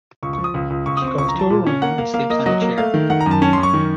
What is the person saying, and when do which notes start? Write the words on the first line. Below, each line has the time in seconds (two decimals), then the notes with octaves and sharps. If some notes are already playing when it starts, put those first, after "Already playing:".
She goes to her room and sleeps on a chair.
0.23 C#2 C#6
0.33 F3 C#6
0.44 D#6
0.54 C#2
0.70 C#2
0.86 C#2 C#6
0.97 C4 D#6
1.08 C#6
1.18 C#2 C#6
1.29 A#5
1.34 F3
1.39 A5
1.50 A#2
1.67 C#4
1.82 A#3 F#5
1.98 A#3 F5
2.14 A#3 F5
2.30 A#3 D#5
2.46 F#3 D#5
2.62 A#3
2.78 A3 F5
2.94 D#3
3.10 D#3 F#5
3.20 A#5
3.26 F#2
3.31 A5
3.42 C#4 A5
3.53 F#2 C6
3.63 C#6
3.74 D#3